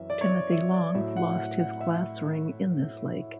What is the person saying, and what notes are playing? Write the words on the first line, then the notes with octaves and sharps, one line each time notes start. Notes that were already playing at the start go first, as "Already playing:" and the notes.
Timothy Long lost his class ring in this lake.
Already playing: F#2 E3 E5
D5
C#5
D5
E5
D5
A2 F#3 E5
F#5
F#5
F#5
E5